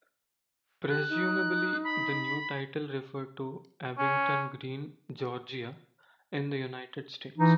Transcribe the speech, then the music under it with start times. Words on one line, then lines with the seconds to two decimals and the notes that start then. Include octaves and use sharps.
Presumably the new title referred to Abington Green, Georgia, in the United States.
0.89 G4 F#6
1.09 D#4
1.84 B5
3.99 C#4
7.38 E3 D#4